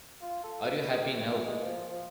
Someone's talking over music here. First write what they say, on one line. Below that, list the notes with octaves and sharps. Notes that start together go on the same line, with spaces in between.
Are You Happy Now?
F4
A4
F2
B2
G#3
G4
A2
E3
G#3
F3
F3